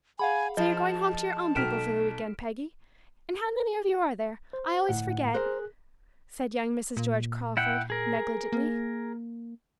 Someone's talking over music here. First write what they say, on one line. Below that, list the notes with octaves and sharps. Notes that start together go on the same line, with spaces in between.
"So you're going home to your own people for the week end, Peggy?--And how many of you are there,--I always forget?" said young Mrs. George Crawford, negligently.
G#4 F5 F#5 G#5 B5
F3 D#5 A5
B1 F#4 A4 G5 F6 B6 D7 E7
A4
C5
G1 A2 F#5
G#4 A#4 C5 F#6
A#2
E4 F#5 G5
G#4 A#4
A#3